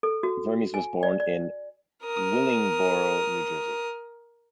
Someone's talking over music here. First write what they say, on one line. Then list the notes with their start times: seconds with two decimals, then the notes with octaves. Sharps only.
Vermes was born in Willingboro, New Jersey.
0.03 A4
0.23 F#4
0.74 G#5
1.03 D5
1.20 D5
2.04 A#4 D#6